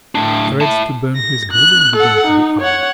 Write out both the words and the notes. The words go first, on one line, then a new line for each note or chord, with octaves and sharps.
Threats to burn his building began to be uttered.
A2 D4
E4 A5
A#6
F#6
A4 F#5
D#4
C#5 F#5